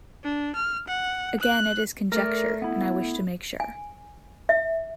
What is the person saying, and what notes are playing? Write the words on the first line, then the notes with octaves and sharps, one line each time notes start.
Again it is conjecture, and I wish to make sure.
D4
F6
F#5
F#6
A3 A#4 D5
B3 E4
G#5
E5